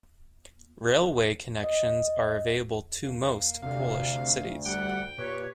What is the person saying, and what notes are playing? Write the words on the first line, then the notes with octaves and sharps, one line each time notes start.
Railway connections are available to most Polish cities.
D#5
A#3
D2 C3 F5
G3 F#5 G5
A#2 G4 B4 C#5